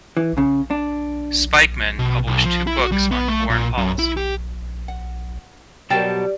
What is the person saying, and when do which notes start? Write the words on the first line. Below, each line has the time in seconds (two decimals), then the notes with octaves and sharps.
Spykman published two books on foreign policy.
0.17 E3
0.38 C#3
0.71 D4
1.99 B2
2.27 B1
2.45 F3
2.67 E4
2.80 F#4
2.92 G3
3.11 B3
3.28 A3
3.50 A#2
3.77 F#2
3.99 E4
4.17 G4
4.88 F#5
5.90 B2 F#3 G3 A#4 C5 G5 A5